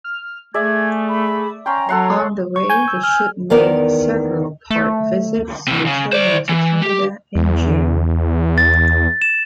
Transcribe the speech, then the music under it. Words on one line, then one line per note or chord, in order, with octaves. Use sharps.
On the way the ship made several port visits, returning to Canada in June.
F6
A3 G#4 D5 E5 G#6
B5
C#4 G5 A#5 C6
F#3 A4 C#5 F#5 C6
C#6
G#5 G6
E6
F6
E2 D#3 B3 A#4 D5
A3
C3 E3
C#3
C5 D5
E3
G4
E2
A6
E7